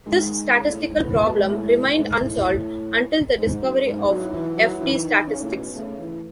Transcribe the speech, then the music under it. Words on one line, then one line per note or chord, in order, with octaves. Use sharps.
This statistical problem remained unsolved until the discovery of F-D statistics.
D#3 G#3
C#3
A2
A2
G#2
A2 B3
A3
B2
G#3
A2 A3
G#2 A3
A2
G#2
F#2
G#2 B3
D#4
F#3
E4
E3 F#4
F#3
E4
E3 D#4
D#3
C#3 C#4
A2
B2
C#3 A3
E3